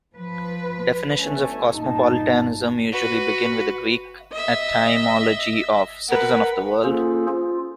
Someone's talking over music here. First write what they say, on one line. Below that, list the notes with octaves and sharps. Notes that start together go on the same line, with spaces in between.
Definitions of cosmopolitanism usually begin with the Greek etymology of "citizen of the world".
F3 B4
G1 A3 C#4 G#5
G2 A#2 A#3 D#4 A5
F#4 B4
D#5 E5
A#4 B4 F#5
A#3 C#4 F4 G#4 A4 C5
F4